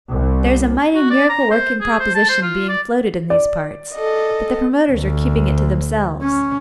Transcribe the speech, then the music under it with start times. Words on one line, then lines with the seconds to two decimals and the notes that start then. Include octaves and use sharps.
There is a mighty miracle-working proposition being floated in these parts, but the promoters are keeping it to themselves.
0.10 C2
0.95 F#4
1.10 D5
1.29 A#5
1.51 C5
1.80 G#4
1.99 C5
2.15 A5
2.29 C5
2.42 F4
2.68 D5
3.30 D5
3.94 A4 D#5
4.91 D2
6.22 C#4